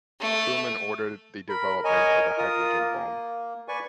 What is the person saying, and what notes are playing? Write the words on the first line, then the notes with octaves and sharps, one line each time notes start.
Truman ordered the development of a hydrogen bomb.
A3
A#4 B5
A#4 C#5 D#5 G#5
F4 A#4 D#6
A#3
B4 D5 G#5 C#6